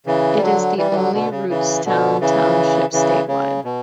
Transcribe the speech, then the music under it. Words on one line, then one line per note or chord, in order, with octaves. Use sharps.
It is the only Rootstown Township statewide.
C#3 E3
G3
D3 F#3
E3 G3
E3
D3 F#3
B2 D3
C#3
C#3 E3
B2 D3
C#3 E3
C#3 E3
C#3
B2